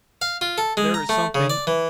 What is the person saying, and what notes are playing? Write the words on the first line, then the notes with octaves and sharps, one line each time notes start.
There is something....
F5
F4
A4
G#3
A#5
A3
C#3
D5
E3